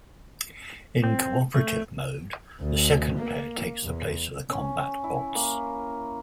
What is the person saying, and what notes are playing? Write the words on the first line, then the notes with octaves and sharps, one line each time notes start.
In cooperative mode, the second player takes the place of the combat bots.
C4
A3
D2
A#3
E2
C#4
E4
A#3